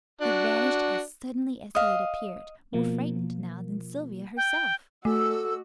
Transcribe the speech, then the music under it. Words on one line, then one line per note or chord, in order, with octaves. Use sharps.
He vanished as suddenly as he had appeared, more frightened now than Sylvia herself.
D4 F#4
D#5 F5
B2 F3 A#3
G5
A3 F#4 A4 E6